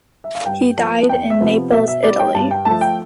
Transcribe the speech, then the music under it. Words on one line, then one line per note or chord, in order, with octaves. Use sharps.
He died in Naples, Italy.
E5
F5
G2 G5
F3 B3 A5
E2 G5
E5
C3 F3 B3
B2 E5
E5
G3 B3 D5
G5
G2 A5
G5
F3 A3 A5
G5